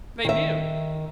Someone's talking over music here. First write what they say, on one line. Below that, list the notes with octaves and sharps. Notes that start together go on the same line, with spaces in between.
They do.
D#3 E5